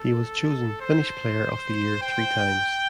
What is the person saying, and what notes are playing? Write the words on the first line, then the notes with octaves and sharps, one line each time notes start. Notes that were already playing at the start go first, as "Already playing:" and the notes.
He was chosen Finnish Player of the Year three times.
Already playing: A4
C5
G5